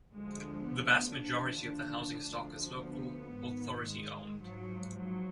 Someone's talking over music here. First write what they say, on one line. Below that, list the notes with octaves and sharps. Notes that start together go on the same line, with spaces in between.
The vast majority of the housing stock is local authority owned.
D2 D3 F3 G#3
B3
D#2 D3 F3 D4
D2 D3 F3
B3
G#2 D#3
G#3
G#2 F3 F#3
F#3